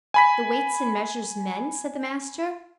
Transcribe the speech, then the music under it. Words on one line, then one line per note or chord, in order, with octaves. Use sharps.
The weights and measures men! said the Master.
G#5 B5 B6